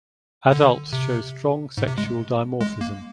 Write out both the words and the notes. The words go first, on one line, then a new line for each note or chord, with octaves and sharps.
Adults show strong sexual dimorphism.
D3
C3
G#2
C3
G#3
G#3
A#3